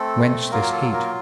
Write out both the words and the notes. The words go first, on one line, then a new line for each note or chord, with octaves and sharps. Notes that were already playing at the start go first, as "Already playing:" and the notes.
Whence this heat?
Already playing: A3 C4 A4
F#3 A#3 F4 A#4
A4
A#3 A#4